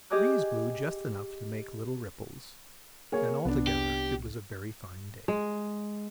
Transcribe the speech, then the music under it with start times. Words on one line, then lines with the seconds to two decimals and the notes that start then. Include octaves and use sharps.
The breeze blew just enough to make little ripples, and altogether it was a very fine day.
0.10 G4 G#4 D#5 G#5 D6 F#6
3.12 A#3 G#4 C#5
3.45 C2 B3 D4
3.67 G4
5.28 G#3